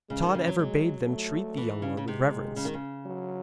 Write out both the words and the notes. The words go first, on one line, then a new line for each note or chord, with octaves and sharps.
Tod ever bade them treat the young lord with reverence.
C#3 G#3
D#3
C#3
F#3
F#3 G#3
A3
E3
C#3
C#3
C3 G#3
C#3
D#3
C#3
F#3